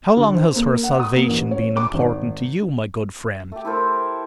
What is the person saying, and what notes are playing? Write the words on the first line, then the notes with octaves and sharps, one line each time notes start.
'How long has her salvation been important to you, my good friend?'
D3
C5
A#3
F#5
D#6
A#3
A1
C#5
D6
G#1
A3 G4
E4 A4 A#4 C5